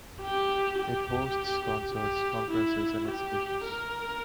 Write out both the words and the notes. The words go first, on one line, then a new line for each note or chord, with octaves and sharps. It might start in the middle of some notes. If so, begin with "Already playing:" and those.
It hosts concerts, conferences and exhibitions.
G4
G4
G4
E4
G4
A#4